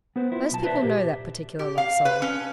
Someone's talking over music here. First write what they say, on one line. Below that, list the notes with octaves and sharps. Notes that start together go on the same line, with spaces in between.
Most people know that particular love-song.
B3 B4 C5
E4 F4
B1 A5
B4 C5 D5 E5
A#2 G4
G4
F5
B4
C#4